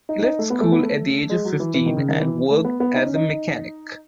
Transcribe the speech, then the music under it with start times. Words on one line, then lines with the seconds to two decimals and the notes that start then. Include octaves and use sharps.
He left school at the age of fifteen and worked as a mechanic.
0.09 D#4
0.24 D#4
0.39 A3
0.50 B3
0.61 A3
0.72 B3
0.83 A3
1.30 G#3
1.45 F#3
1.60 E3
1.74 E3
1.86 D#3
1.97 C#3
2.09 D#3
2.20 E3
2.50 A3
2.65 B3
2.80 B3
2.96 D#4
3.05 C#4
3.15 D#4